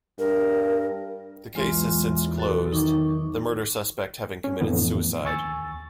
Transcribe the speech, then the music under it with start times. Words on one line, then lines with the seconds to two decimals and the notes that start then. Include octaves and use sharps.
The case has since closed, the murder suspect having committed suicide.
0.19 G2 A#4
1.55 B1 E2 E3 G#3 F4 C6
2.38 F#4 A4
2.72 D#3 D#4 C#6 D6
4.44 C#4
4.61 F2 A2 D3 E3 B3
5.25 D#2 G#5 C#6 E6 A6